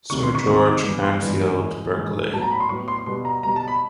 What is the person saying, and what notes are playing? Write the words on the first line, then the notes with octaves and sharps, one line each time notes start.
Sir George Cranfield-Berkeley.
D2 C3 D#3 C#6
C6
C#6
D2 C3 D#3 C#6
D6
G2 E3 G#3 B3 D6
C6
G2 E3 G#3 B3
G#2 E3 G#3
G#2 E3 G#3
A2 F#3 B3 A5
A#5
B5
C6
A2 F#3 B3 C#6
C6
B2 G3 B3 C6
A#5
B2 G3 B3 A#5
A5
B5